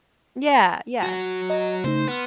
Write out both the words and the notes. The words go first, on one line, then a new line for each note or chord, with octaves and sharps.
Yeah, yeah.
F#3 F#4
D#5 A#5
C#3 A3 D#4 C5
B3 C6 F6